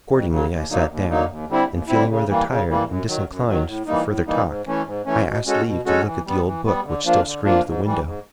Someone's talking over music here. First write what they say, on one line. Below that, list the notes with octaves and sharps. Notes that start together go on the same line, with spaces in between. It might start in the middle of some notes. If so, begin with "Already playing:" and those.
Accordingly I sat down, and feeling rather tired, and disinclined for further talk, I asked leave to look at the old book which still screened the window.
F2
C#3 F#3
D#2
D3 F#3 A#3 D#4
D#2
D3 F#3 A#3 D#4
D#2
D3 G3 C4 E4
D#2
D3 G3 C4 E4
C#3
E3 G3 A#3
C#3
E3 G3 A#3
F#2
D#3 F#3
F#2
D#3 F#3
A2
E3 G3 A#3 D#4
A2
E3 G3 A#3 D#4
G#2
E3 A3 C#4
G#2
E3 A3 C#4
B2
G#3 C#4 F#4 A4
B2
G#3 C#4 F#4 A4
E3
G3 B3
E3
G3 B3
D3
F3 A#3 D4 F4
D3
F3 A#3 D4 F4
G#2
E3 G3
G#2